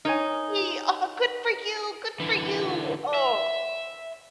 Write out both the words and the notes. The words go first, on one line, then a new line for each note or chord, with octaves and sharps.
yippee! Oh, good for you! Good for you! Oh,
D#4 A#4 C#5 G#5
D3 E3
E5